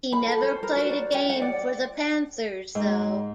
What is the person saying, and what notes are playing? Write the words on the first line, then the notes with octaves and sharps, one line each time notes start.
He never played a game for the Panthers, though.
B5
A4
C5
A#4
F#4
D5
G5
F#5
D5
G#2